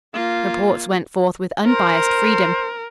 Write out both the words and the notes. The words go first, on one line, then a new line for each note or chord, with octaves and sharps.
Reports went forth with unbiased freedom.
A#3 F4
A#4 C5